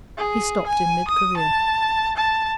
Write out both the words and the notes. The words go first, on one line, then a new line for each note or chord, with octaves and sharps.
He stopped in mid career.
G#4
G#5
D#6
A5
A5